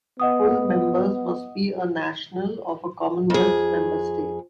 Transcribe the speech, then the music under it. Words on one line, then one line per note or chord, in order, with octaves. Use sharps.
Full members must be a national of a Commonwealth member state.
B3 D#5 F#5 D#6
F2 G#4